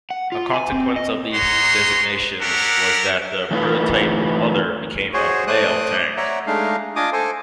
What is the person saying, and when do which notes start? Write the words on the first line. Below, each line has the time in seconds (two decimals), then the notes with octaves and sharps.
A consequence of these designations was that the prototype "Mother" became a "male" tank.
0.10 F#5
0.32 F4
0.53 G#5
0.72 C4
0.96 D#5
1.34 D#4 F#4 G#4 C#5 A#5 C6
2.40 C#4 D4 G4 A#4 E5 F#5
3.51 E3 A3 D4 D#4 F4 B4
5.14 F#4 G#4 C5 C#5
5.47 A3 C5 D5 D#6 F#6
6.17 C#5 D5 E5 F#5 A#5
6.47 G#3 A3 D4 D#4 F5
6.96 D4 F4 D#5 G#5 D6 D#6
7.13 A4 C5 G#5